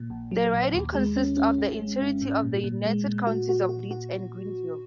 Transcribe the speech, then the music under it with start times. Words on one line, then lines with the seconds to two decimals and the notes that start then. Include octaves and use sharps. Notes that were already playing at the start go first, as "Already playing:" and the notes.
The riding consists of the entirety of the United Counties of Leeds and Grenville.
Already playing: A#2
0.10 A#1
0.31 F#3
0.53 A#1
0.74 D#2
0.94 G#3
1.16 C#4
1.37 C#4
1.58 G#1
1.80 G#3
2.01 G#1
2.21 G#2
2.43 A#2
2.64 A#2
2.85 G#3
3.06 A#2
3.27 F#4
3.49 F#4
3.69 F#4
3.91 F#4